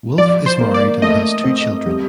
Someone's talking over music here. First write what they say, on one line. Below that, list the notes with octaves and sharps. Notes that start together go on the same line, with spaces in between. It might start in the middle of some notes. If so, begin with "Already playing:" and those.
Wolf is married and has two children.
F3 D5
C5
A#3
D5
A3 D#5
C4
G3